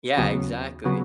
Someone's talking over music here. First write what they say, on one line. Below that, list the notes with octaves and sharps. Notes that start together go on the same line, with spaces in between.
Yeah, exactly.
D#2 C#3 F#3 B3 F#4
C#3 F#3 B3 F#4